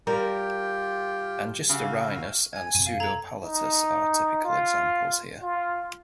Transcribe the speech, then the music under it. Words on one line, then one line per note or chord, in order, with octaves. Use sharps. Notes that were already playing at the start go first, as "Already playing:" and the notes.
"Angistorhinus" and "Pseudopalatus" are typical examples here.
G3 F4 G4 A#4 G5
C#3 F#4 E5 F5
G#5 G#6
F#2 C3 D#7
F5
A4 A#5 G#6
D#4
F4
F4